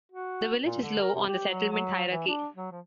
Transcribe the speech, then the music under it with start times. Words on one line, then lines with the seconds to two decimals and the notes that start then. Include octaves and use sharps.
The village is low on the settlement hierarchy.
0.12 F#4
0.65 A#2
0.82 D3
1.01 A#4
1.14 C3
1.27 G4
1.49 F#3
1.72 F#3
2.10 E3
2.27 D4
2.56 F#3
2.71 F3